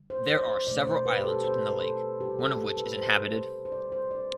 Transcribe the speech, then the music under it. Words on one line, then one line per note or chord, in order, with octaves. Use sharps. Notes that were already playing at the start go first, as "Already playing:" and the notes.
There are several islands within the lake, one of which is inhabited.
Already playing: D3 G3
C5
C5
D5
C5
B2 A3 D5
C5
B4
G4
A4
C5
B4
A4
C3 G3 G4
A4
A4
B4
C5
C5
D3 G3 D5
C5
D5